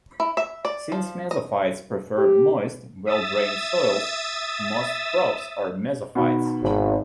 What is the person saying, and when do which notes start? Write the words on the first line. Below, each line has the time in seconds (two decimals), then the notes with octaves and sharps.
Since mesophytes prefer moist, well drained soils, most crops are mesophytes.
0.20 E4
0.37 E5
0.65 D5
0.92 F3
1.31 D#5
2.18 G4
3.05 E5 D#6 E6 A6
6.15 B2 D#3
6.61 G#1